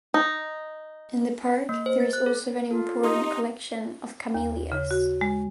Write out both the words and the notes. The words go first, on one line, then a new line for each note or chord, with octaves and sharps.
In the park there is also an important collection of Camellias.
D#4
A#3
C5
A6
F#6
A4
F4 A4
D#4 G4 C6 D#6
D#2
C#3
F#4
G#3